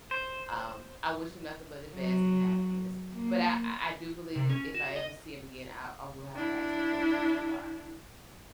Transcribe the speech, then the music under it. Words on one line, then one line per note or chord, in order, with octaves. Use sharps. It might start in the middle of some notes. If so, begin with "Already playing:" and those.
um, I wish him nothing but the best and happiness. But I I I, do believe if I ever see him again, I I will have to ask that question as to why.
C5
F#3
A#3
C3
C#4
F#4
D#5
D4 E4